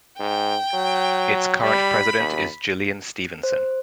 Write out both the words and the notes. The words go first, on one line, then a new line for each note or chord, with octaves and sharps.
Its current president is Gillian Stephenson.
G#2 G5
F#3
G3 B5
D#2
C5